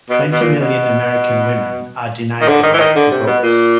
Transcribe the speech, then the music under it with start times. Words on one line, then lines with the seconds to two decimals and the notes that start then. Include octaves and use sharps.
Twenty million American Women are denied the right to vote.
0.10 B2
0.32 B2
0.41 A#2
0.57 B2
2.41 D#3
2.48 D3
2.63 D#3
2.73 E3
2.79 D#3
2.95 D3
3.11 C3
3.26 B2
3.43 A#2